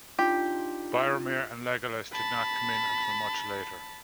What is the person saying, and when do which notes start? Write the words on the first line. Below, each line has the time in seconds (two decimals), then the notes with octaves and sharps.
Boromir and Legolas did not come in until much later.
0.19 D4 D#4 F4 G4
2.13 A5 B5